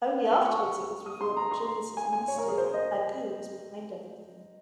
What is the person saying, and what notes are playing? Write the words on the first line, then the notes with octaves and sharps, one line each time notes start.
Only afterwards it is revealed that Jillius' minister, Bagoo, was behind everything.
C#6
D#6
C6
A#5
C6
G#5
G#5
C#5
A#4
G#4
C5
D#5